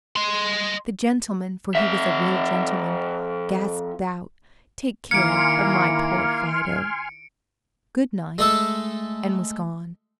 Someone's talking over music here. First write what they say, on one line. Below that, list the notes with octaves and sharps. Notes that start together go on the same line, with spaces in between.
The gentleman--for he was a real gentleman--gasped out, 'Take care of my poor Fido; good-night,' and was gone.
D#5 C6
F2 E5
D#3 A#3 E4 G#5 C6 F6 C#7 D7
G#3 A3 A4